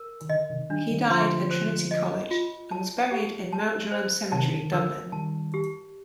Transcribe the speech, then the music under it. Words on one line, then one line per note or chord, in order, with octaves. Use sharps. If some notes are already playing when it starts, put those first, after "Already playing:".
He died at Trinity college and was buried in Mount Jerome cemetery, Dublin.
Already playing: A#4
D#3
D3 D#5
C3 D#3
D#3 G3 D4
D#3 G3
D3 F3 C6
C5
D#5
F4
A5
G4
A5
C5
C3 D#3 A5
D#3
D3 F3 A#4
D#3 G3 A5
G4